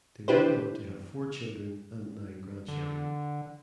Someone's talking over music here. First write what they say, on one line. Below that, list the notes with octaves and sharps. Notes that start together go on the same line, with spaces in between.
They went on to have four children and nine grandchildren.
D4 E4 G4 B4 C5
D3